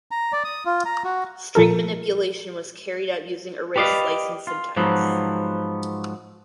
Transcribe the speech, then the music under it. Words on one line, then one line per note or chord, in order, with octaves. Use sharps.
String manipulation was carried out using array slicing syntax.
A#5
D5
D#6
F4
A#5
F#4
A#2 F3 A4 A#4
G4 B4 D5 D#5 F5
F4
G#2 F3 F#3 B3